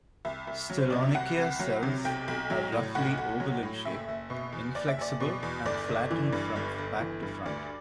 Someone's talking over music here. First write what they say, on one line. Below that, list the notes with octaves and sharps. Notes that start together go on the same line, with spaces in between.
"Stylonychia" cells are roughly oval in shape, inflexible and flattened from back to front.
C2 E5
C2
F#3
C5
C3 D5
E5
C2 F#5
C2
F#3
C3
B1 G5
B1
F#3
A2
B1 F#5
B1
F#3
A2
F#1 E5
F#1
B2
E2
F#1 D5
E5
F#1 D5
B2
E2
G1 D5
G1
E3
G2
G1
G1
E3
G2
D2 D5